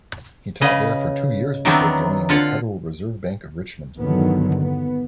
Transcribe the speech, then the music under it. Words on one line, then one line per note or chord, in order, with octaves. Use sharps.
He taught there for two years before joining the Federal Reserve Bank of Richmond.
C#3 B4 D#5
D#3 F#3 B3 C4 D4 E4
D3 F4 F5 F#5
E2 G2 D3 D#3 F#3 B3
B3